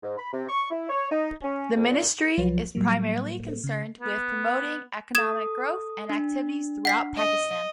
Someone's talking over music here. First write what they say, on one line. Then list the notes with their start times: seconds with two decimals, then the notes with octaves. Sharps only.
The ministry is primarily concerned with promoting economic growth and activities throughout Pakistan.
0.03 G#2
0.18 B5
0.33 C3
0.49 C#6
0.71 E4
0.89 C#5
1.11 D#4
1.43 C#4
1.76 F2
1.90 A#2
2.37 C2 F3 F#3 F4 B4 C#5
2.75 A2 F#3 G3 A#3
3.64 C#3 C7
4.01 B3
5.15 A4 D#6 G#6 E7
6.10 D4
6.85 F#5 B6 C7
7.16 D#5